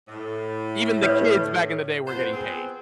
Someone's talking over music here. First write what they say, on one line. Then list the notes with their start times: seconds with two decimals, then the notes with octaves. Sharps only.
even the kids back in the day were getting paid.
0.08 A2
1.03 B4 C#5
2.07 F2 B3 C5
2.33 B3 C4 G#4